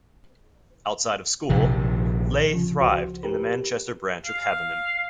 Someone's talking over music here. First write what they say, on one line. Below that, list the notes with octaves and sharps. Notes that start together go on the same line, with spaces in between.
Outside of school, Leigh thrived in the Manchester branch of Habonim.
A#1 C3 D#3
C#3 F3
C#2 F#4 C5
G4 A#4 B4
F5